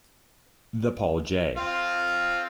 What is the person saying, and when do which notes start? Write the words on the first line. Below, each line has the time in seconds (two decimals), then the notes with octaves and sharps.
The Paul J.
1.57 C4 F4 F5